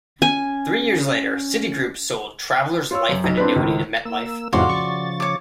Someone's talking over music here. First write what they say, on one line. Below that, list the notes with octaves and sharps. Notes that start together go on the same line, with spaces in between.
Three years later, Citigroup sold Travelers Life and Annuity to MetLife.
C#4 G#5
F4 C#5 E6
F#2
B1
C4 D4 F4 B4
G#1 C#2 A2
A#3 E6
F2 A2 C#3 F#4 D5 F5 F#5 C6
C#3 F3 C#6 A6
C#5 D6